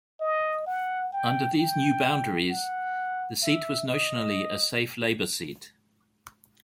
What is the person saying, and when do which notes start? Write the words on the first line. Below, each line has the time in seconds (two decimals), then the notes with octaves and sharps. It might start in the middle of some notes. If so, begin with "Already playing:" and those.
Under these new boundaries the seat was notionally a safe Labour seat.
0.20 D#5
0.66 F#5
1.12 G5
1.59 G5
2.50 F#5
3.43 E5
3.88 D#5